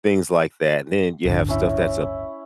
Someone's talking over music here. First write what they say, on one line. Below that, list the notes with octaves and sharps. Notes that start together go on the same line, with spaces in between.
things like that. Then you have stuff that’s, uh
D1 G1 D3
C#4 E4